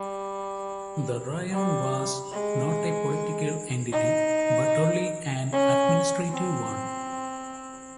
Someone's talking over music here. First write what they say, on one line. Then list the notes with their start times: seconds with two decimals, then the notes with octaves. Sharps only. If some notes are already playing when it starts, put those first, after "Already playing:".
The "rione" was not a political entity, but only an administrative one.
Already playing: G3
1.52 G3
2.33 G#3
3.92 D#4
5.53 C#4
6.31 C4